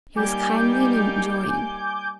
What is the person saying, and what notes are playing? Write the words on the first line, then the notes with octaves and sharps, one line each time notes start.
He was kindly and enjoying.
G3 A#3 D#4 G#5 D6 G6